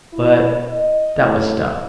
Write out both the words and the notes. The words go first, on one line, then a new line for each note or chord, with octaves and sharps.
But that was stuff.
E4
D#5
A2